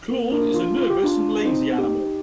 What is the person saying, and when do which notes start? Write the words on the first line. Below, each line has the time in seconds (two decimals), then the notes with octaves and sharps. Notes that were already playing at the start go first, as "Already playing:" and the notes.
Claude is a nervous and lazy animal.
0.09 A#3
0.32 A#3 D4
0.54 D4 F4
0.76 F4
0.90 G4
1.03 D4 F4
1.44 C4 D#4
1.78 D#4 G4